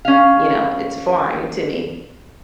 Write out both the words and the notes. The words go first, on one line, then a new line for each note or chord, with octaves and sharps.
you know it's foreign to me,
C#4 F5